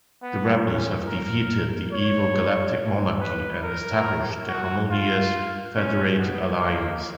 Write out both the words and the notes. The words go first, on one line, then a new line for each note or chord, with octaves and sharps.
The rebels have defeated the evil Galactic Monarchy and established the harmonious Federated Alliance.
B3
C#4
A#4
C#5
B4
A#4
F#4
F4
C#4
B3
A#3